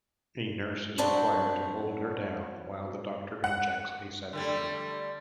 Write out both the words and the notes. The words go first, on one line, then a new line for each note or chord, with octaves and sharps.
A nurse is required to hold her down while the doctor injects a sedative.
F#3 C4 D4 F#4 B4 C5
F#5
D3 G3 A3